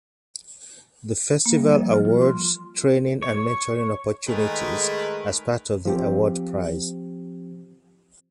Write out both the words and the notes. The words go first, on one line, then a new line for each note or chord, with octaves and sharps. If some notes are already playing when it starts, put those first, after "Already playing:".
The festival awards training and mentoring opportunities as part of the award prize.
A#3
G3
F3
F6
F4
C6
C#5
D#3 G#3 A3 G#4 A#4 B4
F3 C4 G4